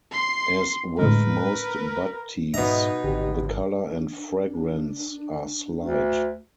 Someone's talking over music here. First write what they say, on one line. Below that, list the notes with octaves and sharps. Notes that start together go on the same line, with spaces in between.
As with most bud teas, the color and fragrance are slight.
C6 C7
A2 D3 G#3 A#4 B4
G#2 B2 D#4 E5 A#5 D#6
G#1 D3 G4
D4
D2